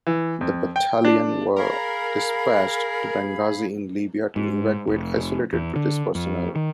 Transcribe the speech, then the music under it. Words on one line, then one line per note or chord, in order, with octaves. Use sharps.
The battalion were dispatched to Benghazi in Libya to evacuate isolated British personnel.
E3
F2
G5
D4
G#4 A#4 F5 B5
G#2
F1
E2
D3
F2
D#3